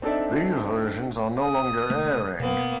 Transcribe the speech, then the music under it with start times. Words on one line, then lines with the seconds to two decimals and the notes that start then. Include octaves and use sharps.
These versions are no longer airing.
0.02 C4 D4 D#4 A4 D5 E5
1.42 D#6
1.89 C3 A3 A#3
2.40 B2 A#3 B3